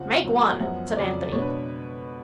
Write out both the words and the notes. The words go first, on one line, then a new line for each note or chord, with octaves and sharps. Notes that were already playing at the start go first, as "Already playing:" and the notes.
"Make one," said Anthony.
Already playing: F2 C#3 F3 F#5
A2 F#3 B3
F#2 F3 G#3 B3 F#5
F2 C#3 F#3 D5
B2 G#3 B3 D4 C#5
B4